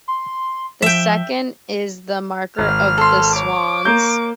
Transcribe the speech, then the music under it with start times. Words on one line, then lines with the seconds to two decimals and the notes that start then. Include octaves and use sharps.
The second is the Marker of the Swans.
0.08 C6
0.82 F3 E5 G5
2.58 G#1 F6
2.98 A4 C6
3.36 C#5 D6
3.85 A#3 A#4 G6